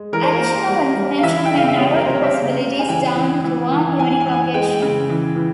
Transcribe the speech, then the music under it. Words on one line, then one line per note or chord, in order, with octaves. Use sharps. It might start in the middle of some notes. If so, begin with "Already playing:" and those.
Additional information may narrow the possibilities down to one unique location.
Already playing: G#3
E3 A#4
C5
A#4
A#3
G3
G3
F5
E3 E5
G5
C#3
F5
E5
G3 C#5
A#4
C3 C5
C#5
E5
C#3 F5
C#3
G#5
E3 G5
E3
E3
E3
E3 G#5
G#5
E3
G#3 G5
C#3
E3
E3